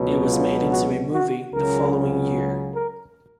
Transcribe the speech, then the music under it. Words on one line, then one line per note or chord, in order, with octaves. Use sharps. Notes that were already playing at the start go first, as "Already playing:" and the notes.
It was made into a movie the following year.
Already playing: C#2 B2 F#3
F4
F#4
F#4
C#2 C#3 F#3 A#4
A#4